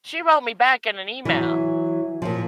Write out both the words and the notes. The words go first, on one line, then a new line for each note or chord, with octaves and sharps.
She wrote me back in an email,
E3 F#3
A#2 F3